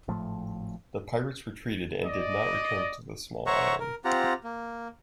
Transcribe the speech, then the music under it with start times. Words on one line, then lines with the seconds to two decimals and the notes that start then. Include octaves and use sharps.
The pirates retreated and did not return to the small island.
0.08 G#1 A2 F3 A3
2.05 D5 D#5
3.46 C5 C#5 E5 F#5 A#5 C#6
3.80 A#4
4.05 C4 F4 G4 F#5 A#5
4.44 A#3